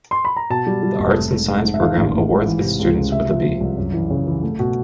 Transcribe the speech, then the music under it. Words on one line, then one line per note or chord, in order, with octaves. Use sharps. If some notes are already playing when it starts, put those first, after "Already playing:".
The Arts and Science Program awards its students with a B.
C6
B5
A#5
B2 A5
G3
G3
F1
A3
G#2
G#2
G#2
E5
D#3 F5
A1
A1
G#2
E3
C3
C#2
C#2
C3 E5
F3
F3
C2
F#2
E3
C#3
E3
A3
B2